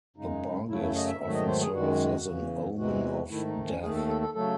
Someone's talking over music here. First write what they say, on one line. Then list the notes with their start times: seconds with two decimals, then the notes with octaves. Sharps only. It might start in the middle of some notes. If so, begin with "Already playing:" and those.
The Barghest often serves as an omen of death.
0.17 F#2 C#3 G#3 D#4
0.69 F#2 C#3 F#3 A3 E4
0.82 E4
0.95 D#5
1.08 E5
1.21 G#2 D#3 F#3 A3 E5
1.34 D#5
1.47 C5
1.61 G#4
1.74 F#2 D#3 G#3 F#4
2.25 E2 C#3 E3
2.78 E2 C3 E3 G#3 F#4
3.30 G#2 D#3 A3 E4
3.47 D#4
3.65 C#4
3.82 D#2 D#3 A3 G#4
3.95 A4
4.08 A4
4.21 A4
4.34 C#3 F#3 A3 A4